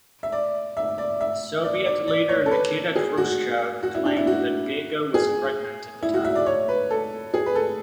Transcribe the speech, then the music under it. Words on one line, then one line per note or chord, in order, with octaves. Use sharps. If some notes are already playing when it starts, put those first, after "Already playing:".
Soviet leader Nikita Khrushchev claimed that Gega was pregnant at the time.
E5
D5
E5
D5
E5
D5
D5
D5
C#5
A4
B4
G#4
F#4
F#4
E4
D4
E4
F#4
G#4
E4
F#4
E5
D5
C#5
B4
A4
G#4
B4
A4